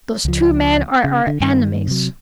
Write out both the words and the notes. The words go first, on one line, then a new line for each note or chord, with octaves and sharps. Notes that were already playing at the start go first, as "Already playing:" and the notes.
Those two men are our enemies.
C#2 F3
C#3
D3
G2 D#3
C3 F#3